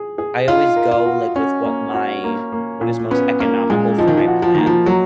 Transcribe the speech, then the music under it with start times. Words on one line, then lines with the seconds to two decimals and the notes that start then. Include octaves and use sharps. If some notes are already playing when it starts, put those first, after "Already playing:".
I always go, like, with what my what is most economical for my plan.
Already playing: G#4
0.18 G#4
0.48 D#4 F4
0.76 A#4
0.91 F4
1.06 F#4
1.36 C#4 F#4
1.65 A#3
1.94 F#4
2.24 A#3
2.52 A#3
2.81 A#2
3.11 B3 C#4
3.40 A#3 C#4
3.70 A#2 G#3
3.98 F3 D#4
4.08 D#3
4.17 F3
4.27 F#4
4.42 F3
4.54 D#3 A#3
4.66 F3
4.86 F#3 A#3